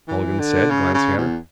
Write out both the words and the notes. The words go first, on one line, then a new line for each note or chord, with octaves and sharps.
Mulligan said, glancing at her.
E3
D3
C#3
C#3
E2